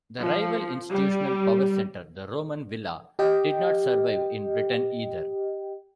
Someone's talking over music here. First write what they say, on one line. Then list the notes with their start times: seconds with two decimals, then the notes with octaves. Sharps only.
The rival institutional power centre, the Roman villa, did not survive in Britain either.
0.20 F3
0.91 G3
3.19 G4 D#5 G5